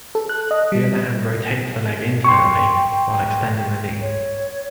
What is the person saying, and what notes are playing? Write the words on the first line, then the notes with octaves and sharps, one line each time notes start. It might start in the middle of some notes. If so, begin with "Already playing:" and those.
The other hand rotates the leg internally while extending the knee.
A4
F#6
D#5
G3
G5 C6 C#6
C#5